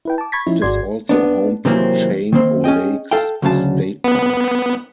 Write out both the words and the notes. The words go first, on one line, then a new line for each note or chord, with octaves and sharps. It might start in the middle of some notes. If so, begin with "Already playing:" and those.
It is also home to Chain O'Lakes State Park.
E4 B4 G5
A5 D6
B5 C#6 G#6 A6 B6
F3 C#4 D#4 E4
G#1 F#4 G#4 D5 C6 G#6
B3 D4
C3 D#3 E3 F#3 A#3 C4
D#3 A#3 C4
C#4 G#4 D#5 G5
A4 F5 G5
D2 C#3 F#3 C#4 F5 A5
B3